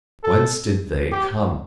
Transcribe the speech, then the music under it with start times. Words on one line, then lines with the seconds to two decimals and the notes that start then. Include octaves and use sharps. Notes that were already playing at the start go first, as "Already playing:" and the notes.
Whence did They come?
0.24 A4
1.12 G4